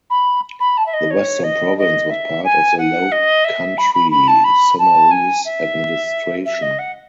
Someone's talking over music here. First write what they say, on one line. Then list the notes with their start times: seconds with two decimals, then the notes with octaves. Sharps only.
The Western Province was part of the Low Country Sinhalese administration.
0.10 B5
0.60 B5
0.77 A5
0.86 E5
0.93 D#5
1.11 C#5
1.44 D#5
1.78 D#5
2.10 E5
2.45 G#5
2.78 F#5
3.12 D#5
3.45 E5
3.78 B5
3.94 B5
4.11 B5
4.28 A5
4.44 B5
4.79 A5
5.11 G#5
5.45 E5
6.46 E5
6.62 D#5
6.79 F#5